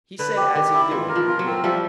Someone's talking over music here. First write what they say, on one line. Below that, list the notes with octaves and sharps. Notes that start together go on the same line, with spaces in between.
He said as he'd do it, and he did.
D3 B4
G4
D#3 G4
E4
E3 F4
A#4
F3
F4
F#3
C4
F3 G3 E5